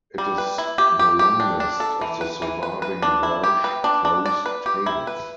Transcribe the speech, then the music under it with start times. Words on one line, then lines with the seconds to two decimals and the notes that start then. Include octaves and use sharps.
It is the longest of the surviving Welsh prose tales.
0.18 G3
0.38 B4
0.58 E4
0.78 G4
0.99 G4
1.19 G4
1.40 D4
1.60 D4
1.80 A4
2.01 E3
2.21 B4
2.42 E3
2.63 B4
2.82 B4
3.02 D4
3.23 E4
3.44 G4
3.64 B4
3.84 D4
4.05 D4
4.26 D5
4.46 B4
4.66 G4
4.86 E4
5.07 B4